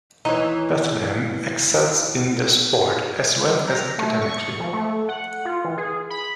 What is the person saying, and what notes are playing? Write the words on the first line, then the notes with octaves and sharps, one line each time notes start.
Bethlehem excels in their sport as well as academically.
D#2 E3 D#4 C#5
A#5
A3
C#6
F3
A3
F#5
F4
E3
G#4
B5